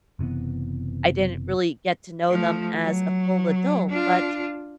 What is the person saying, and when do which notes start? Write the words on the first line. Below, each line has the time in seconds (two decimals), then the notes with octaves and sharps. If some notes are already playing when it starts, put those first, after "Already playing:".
I didn't really get to know them as a full adult, but
0.19 F#1 C3 E3 B3
2.30 F3 A3
2.81 F#3
3.89 D4 F4